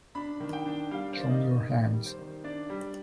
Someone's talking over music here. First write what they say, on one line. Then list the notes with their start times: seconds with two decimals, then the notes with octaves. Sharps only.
Show me your hands!
0.15 D4 B5
0.40 D#3
0.53 G5
0.66 D4
0.91 G3 F5
1.13 C5
1.17 D#3 D5
1.29 D#5
1.42 D#3
1.68 D#3 D5
1.93 G3
2.06 C5
2.19 D#3
2.44 D4 D5
2.70 G3